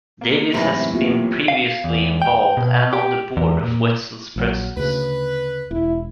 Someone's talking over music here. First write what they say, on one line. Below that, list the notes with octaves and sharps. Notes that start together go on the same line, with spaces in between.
Davis has been previously involved and on the board of Wetzel's Pretzels.
A#3 B3
G#1 F#2 A2 C3 E3 A#6
A#3 B3 F4 G4
F5
E2
G5
B2
G4
E2
A#2
A#1 F3 F#3
D2 C#3 B4
E1 E4